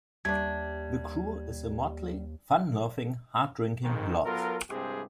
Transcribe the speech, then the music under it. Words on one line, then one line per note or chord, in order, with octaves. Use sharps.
The crew is a motley, fun-loving, hard-drinking lot.
D#2 G3 A3 D4 G#6
A#1 F2 G#2 D#3
F#3 B3 F4 A4 A#4
C2 G2 G#3 C4 G4 G#4